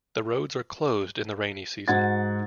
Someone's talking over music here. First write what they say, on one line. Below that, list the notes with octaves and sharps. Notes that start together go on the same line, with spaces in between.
The roads are closed in the rainy season.
G#2 F#4 F#5 G#6 A6